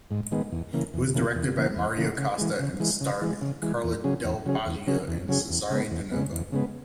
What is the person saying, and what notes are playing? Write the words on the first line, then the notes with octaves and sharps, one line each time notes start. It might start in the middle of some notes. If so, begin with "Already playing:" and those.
It was directed by Mario Costa and starred Carla Del Poggio and Cesare Danova.
G#2
D#3 G#3 B3
E2
C#3 E3 A#3
E2
C#3 E3 A#3
E2
C#3 E3 A#3
E2
C#3 E3 A#3
C#3
E3 G#3
C#3
E3 G#3
C#3
E3 G#3
C#3
E3 G#3
E2
C#3 F#3 C#4 G#4
E2
C#3 F#3 C#4 G#4
E2
C#3 F#3 C#4 G#4
E2
C#3 F#3 C#4 G#4
E2
C#3 G#3 B3
E2
C#3 G#3 B3
E2
C#3 G#3 B3